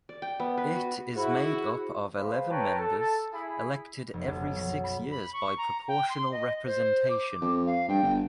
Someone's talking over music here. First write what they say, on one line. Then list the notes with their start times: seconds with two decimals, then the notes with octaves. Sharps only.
It is made up of eleven members, elected every six years by proportional representation.
0.09 D5
0.22 G5
0.40 B3
0.58 B4
0.76 F#4
1.15 E4 F#4 G#4 C5 B5
2.17 G#3 B4 C5 F5
2.50 B4 C#5 G5 A5 A#5
2.79 A4
3.33 E4 G#4 B5
4.14 F1
4.27 B1
4.41 F#2
4.56 F#3
4.84 B5
5.11 B5
5.33 C#6
5.58 A#5
5.88 G5
6.10 C6
6.32 D#5
6.66 C5
7.10 D6
7.41 F2
7.66 F5
7.88 G2 G5
8.03 G1